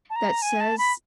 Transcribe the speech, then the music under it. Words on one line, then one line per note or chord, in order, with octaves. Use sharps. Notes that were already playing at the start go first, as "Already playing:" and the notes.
that says
A5
A#5
G#5
A5
B5